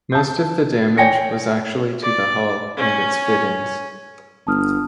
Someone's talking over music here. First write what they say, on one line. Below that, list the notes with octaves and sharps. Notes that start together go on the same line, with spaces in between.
Most of the damage was actually to the hull and its fittings.
A5 G6
C#5 D5 G5 G#5 A#6 C#7
D5
C#4
G1 A5 D#6 F6